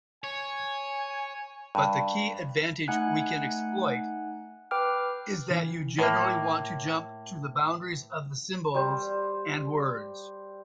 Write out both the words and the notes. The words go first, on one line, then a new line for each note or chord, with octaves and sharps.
But the key advantage we can exploit is that you generally want to jump to the boundaries of symbols and words.
C#5 G#5
G2
A3 D#4 F#5 G#5 F#6
B4 G5 D6 F6
E3
A2 A#3
G3 C5